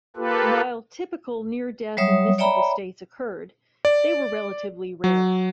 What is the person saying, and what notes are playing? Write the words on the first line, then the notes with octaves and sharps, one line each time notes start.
While 'typical' near-death and mystical states occurred, they were relatively rare.
A#3 F4 G4 A4 B4
F#3 G3 C#5 E5 D#6
C#5 D5 E5 G5 A#5 B5
D5
F#3